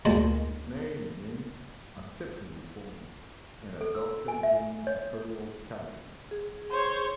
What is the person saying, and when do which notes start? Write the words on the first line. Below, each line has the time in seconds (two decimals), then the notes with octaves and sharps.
Its name means "Accepting Reform" and adopted during imperial times.
0.05 D2 A#2 D#3 G#3 A5
3.81 A4
3.95 E6
4.28 G#5
4.43 E5
4.87 C#5
6.31 G#4
6.71 C5 C#5